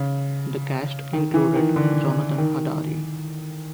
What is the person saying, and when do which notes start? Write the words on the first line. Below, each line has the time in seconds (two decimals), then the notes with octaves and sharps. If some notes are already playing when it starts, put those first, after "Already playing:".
The cast included Jonathan Hadary.
Already playing: C#3
1.13 D#3
1.34 E3
1.55 D#3
1.76 D3
2.38 D#3